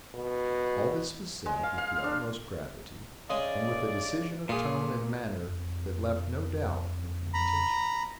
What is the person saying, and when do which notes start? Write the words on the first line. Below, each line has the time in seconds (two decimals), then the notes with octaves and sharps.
All this was said with the utmost gravity, and with a decision of tone and manner that left no doubt of the intention.
0.15 B2
1.46 G#3
1.63 F5
1.78 F5
2.04 D4
3.30 C#3 G#3 G#4 D5
4.49 A#2 F4 G#4
5.48 F2
7.34 A#5 B5